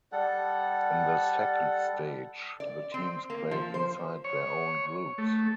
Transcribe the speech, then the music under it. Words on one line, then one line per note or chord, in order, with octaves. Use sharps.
In the second stage, the teams played inside their own groups.
G3 A4 F#5
D5
C4
A#3
F3
C5
C#5
A3